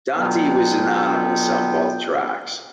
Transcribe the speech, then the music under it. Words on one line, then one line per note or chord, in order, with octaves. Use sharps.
Dante was anonymous on both tracks.
B2 D3 F#3 B3 F4 G5